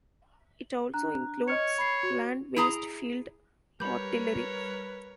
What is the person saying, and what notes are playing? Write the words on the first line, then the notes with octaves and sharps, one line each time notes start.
It also includes land-based field artillery.
D4 A#5 F#6
C#5 D#5 F6 C#7
B5 C7
F#4
E4 G#4 A#5
G3 A#4 B4 C#5 B5 G6